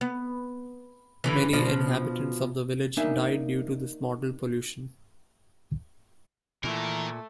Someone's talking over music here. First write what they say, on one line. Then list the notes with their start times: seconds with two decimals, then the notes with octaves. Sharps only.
Many inhabitants of the village died due to this mortal pollution.
0.01 B3
1.24 G2 D3 E3
1.53 B2 F3 D4
2.97 A#3 D4 D#4 A#4 E5 G#5
6.64 A#2 D#3 E3 A3 A#4